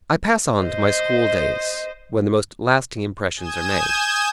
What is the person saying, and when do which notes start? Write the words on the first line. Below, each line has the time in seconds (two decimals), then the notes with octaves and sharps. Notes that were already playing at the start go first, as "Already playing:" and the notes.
I pass on to my school-days, when the most lasting impressions are made.
0.60 C5 D#5
3.36 G#5 D#6 G6 G#6 E7